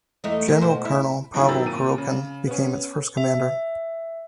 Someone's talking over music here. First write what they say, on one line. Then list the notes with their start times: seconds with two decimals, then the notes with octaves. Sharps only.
General Colonel Pavel Kurochkin became its first commander.
0.24 E2 A3 D#4
0.47 D#2 A#3
0.61 B2 C5
0.85 E4
1.34 A#1 F#2 D3 E4 G#4
1.48 D#3 F#3 B5 E6 A6
1.66 A#2 D#7
1.98 C#3
2.47 B3 C#4
3.17 E5